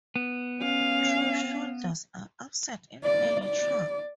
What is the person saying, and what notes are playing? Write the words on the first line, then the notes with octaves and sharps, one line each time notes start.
True shoulders are absent in elytra.
B3
C#4 F5
D5
D5